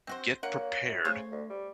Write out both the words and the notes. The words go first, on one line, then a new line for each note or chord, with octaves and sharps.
get prepared
C4 F#4 C5
D3 A#3 A#4 C#5 F#5
F#2
C#3 A3 A4 C5 C#5
D2
G3